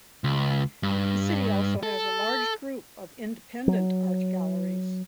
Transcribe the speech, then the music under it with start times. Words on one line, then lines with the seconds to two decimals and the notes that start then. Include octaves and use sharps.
The city also has a large group of independent art galleries.
0.24 C#2
0.83 G2
1.83 A4
3.68 F#3